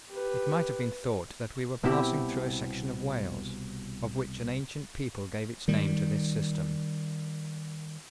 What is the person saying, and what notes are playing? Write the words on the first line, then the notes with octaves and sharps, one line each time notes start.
It might have been thought that we were passing through a section of Wales, of which an ancient people gave its name to this system.
G4 B4
C2 B2 C4 E4 G4
D#3 G3